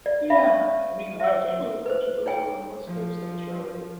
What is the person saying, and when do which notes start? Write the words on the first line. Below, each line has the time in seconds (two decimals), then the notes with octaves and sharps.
Yeah, I I mean, I have family that actually lives over on the west coast of Australia.
0.06 D5
0.30 E5 F5 B5
0.45 E5 C#6
1.20 E5 E6
1.86 B4 C5
2.26 D#4 C#5 G5 G#5
2.87 F3